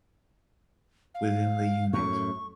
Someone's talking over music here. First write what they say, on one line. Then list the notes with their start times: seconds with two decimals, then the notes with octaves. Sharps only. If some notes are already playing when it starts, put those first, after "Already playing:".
Within the unit.
1.15 F5
1.93 F#2 A2 C#6